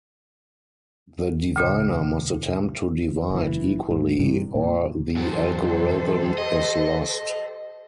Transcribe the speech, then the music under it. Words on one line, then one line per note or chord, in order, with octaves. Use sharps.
The diviner must attempt to divide equally, or the algorithm is lost.
D2 A#2 C#3
F#1 E3
G#2
G2 C3 E3 G3
A#2
E2 F#3 G4 A4 C5
D#5